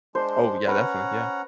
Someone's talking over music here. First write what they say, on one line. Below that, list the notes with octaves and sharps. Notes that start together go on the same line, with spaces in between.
Oh, yeah, definitely, yeah.
G#3 D4 C5
C#4 B4 F#5 A#5